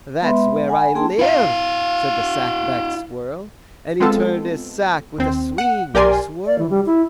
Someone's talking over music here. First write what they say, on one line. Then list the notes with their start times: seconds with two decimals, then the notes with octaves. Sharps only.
"That's where I live," said the sack-backed squirrel, And he turned his sack with a swing and a swirl.
0.22 G#3 B3 B4 E5 B5 C6
0.68 F#5 G#5 B5
0.95 A#3 D4 G#4 G5 A5 C6
1.19 E4 F5
4.00 G#3 B3 C4 F4 A4
5.18 D#2 C4
5.58 F#5
5.94 B1 G4 A#4 D5 G#5 C6
6.46 D5
6.59 E3
6.70 G3
6.86 E4